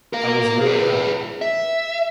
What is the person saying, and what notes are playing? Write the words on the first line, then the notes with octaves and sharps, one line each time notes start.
I was really happy.
A#4 F5
G#4 B4
E5